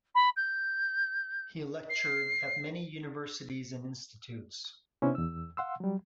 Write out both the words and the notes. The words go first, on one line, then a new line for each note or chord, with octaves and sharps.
He lectured at many universities and institutes.
B5
G6
C7
C3 B3 C#4 D4 E4 C5
E2 E6
F5 F#5 C6 E6
F#3 G3